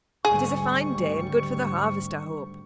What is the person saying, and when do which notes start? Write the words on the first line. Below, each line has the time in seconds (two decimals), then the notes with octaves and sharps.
It is a fine day, and good for the harvest, I hope.
0.25 G#1 D2 G3 G#4 C#6